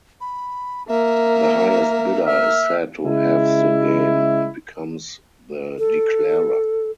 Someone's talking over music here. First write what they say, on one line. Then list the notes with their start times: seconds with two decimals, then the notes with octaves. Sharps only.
The highest bidder is said to "have the game" and becomes the declarer.
0.21 B5
0.88 A#3 A#4 E5
2.26 E5 F6
3.04 C#3 G#3 E4
5.78 A4